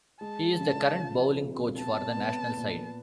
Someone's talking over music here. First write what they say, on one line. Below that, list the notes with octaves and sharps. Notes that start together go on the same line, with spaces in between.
He is the current bowling coach for the national side.
G#3 A5
C#3
F3
C3
B2 A5
B3
A#2